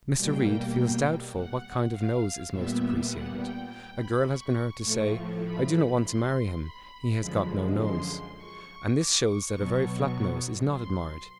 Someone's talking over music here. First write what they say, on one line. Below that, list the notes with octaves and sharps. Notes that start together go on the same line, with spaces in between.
Mr. Reade feels doubtful what kind of nose is most appreciated; a girl has been heard to say, "I do not want to marry him, he has got no nose"; and this shews that a very flat nose is not admired.
B2 G3 A#3 G5
F#5
F5
A#2 G3 B3 E5
F#5
G5
G5
B5
C#6
A2 F3 A3
B5
B5
C6
B5
F#2 D3 F3 G#3
C6
C#6
D6
C#6
B2 F#3 B3
C6